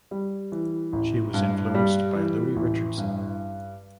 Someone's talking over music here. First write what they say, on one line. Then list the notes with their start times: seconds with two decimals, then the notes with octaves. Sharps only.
She was influenced by Louis Richardson.
0.11 G3
0.52 E3
0.93 A1
1.34 G2
1.75 G3
2.15 E3
2.56 A1
2.97 G2